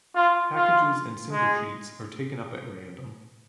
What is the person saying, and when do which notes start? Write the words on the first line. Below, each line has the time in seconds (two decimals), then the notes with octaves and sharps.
Packages and single sheets are taken up at random.
0.15 F4
0.55 F4
1.31 G#3